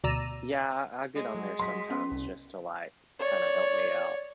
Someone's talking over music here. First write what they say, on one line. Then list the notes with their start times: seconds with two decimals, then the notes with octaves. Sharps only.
Yeah, I I get on there sometimes just to, like, kinda help me out.
0.03 D2 B2 D5 A#5 E6 D#7
1.16 G#3
1.35 F#3
1.59 F#3 C6 B6
1.90 B3 C#4
2.11 C2
3.20 C#5 D5